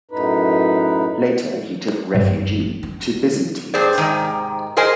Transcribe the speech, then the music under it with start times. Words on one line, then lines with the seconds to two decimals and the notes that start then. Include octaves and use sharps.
Later he took refugee to Byzantines.
0.11 F#2 A2 D#4 B4
2.15 G2
2.26 G2
2.47 E3
2.60 C4
2.83 C#4
3.74 G2 G#4 C5 D5
3.98 G#2 C3 D#3
4.77 G#4 A#4 C5 D#5 G#5